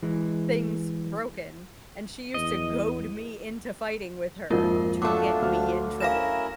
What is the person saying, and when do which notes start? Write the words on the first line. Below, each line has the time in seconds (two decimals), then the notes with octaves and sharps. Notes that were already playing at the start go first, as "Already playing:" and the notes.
things broken, and she used to goad me into fighting with her to get me in trouble.
0.03 E3 G#3
2.34 E2 D#5
4.50 G#1 F2 A#3 F4 A#4
5.02 F#3 A3 D4 F4 D6
5.42 D2 F6
6.00 C#4 E4 A#4 F5 A#6 E7